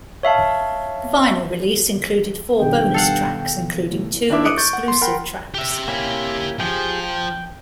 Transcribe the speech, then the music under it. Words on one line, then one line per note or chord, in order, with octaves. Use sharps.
The vinyl release included four bonus tracks, including two exclusive tracks.
C#5 E5 F5 A5
G2 B2 D#3 B3 G5
A4 F5 F#5
A2
D#3 D4 E4 E5 D6
D6 D#6 F#6 C#7 D7
C#6 G6 A6
F#5
C6
A#4 F#5 G5 B5 C6
G4 E5
A#3 C#4 E4
F3 G4 G#4 G5
G5